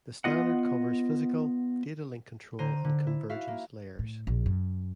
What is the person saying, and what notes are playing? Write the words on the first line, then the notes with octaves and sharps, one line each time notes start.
The standard covers Physical, Data Link Control and Convergence layers.
B3 F4 D#5 F#5
D3 C5 A#5 D#7
D3
E4
E4 F#4 E5 F5
A#3
A2
A#1
F#2